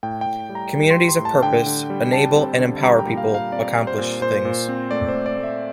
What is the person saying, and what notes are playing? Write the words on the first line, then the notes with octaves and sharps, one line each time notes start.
Communities of purpose enable and empower people accomplish things.
A2 G5
G5
A2
G3
A#5
G3
C6
G3
C6
A2
A5
D3 G5
D3
G3
G3 A5
C4
D3
G3 A#5
G5
A#2
F5
A#2
F5
C4 D5
G3
C5
A#2
A#2 C5
A#2
C4
A3 D5
C5
A3
D5
A3
E5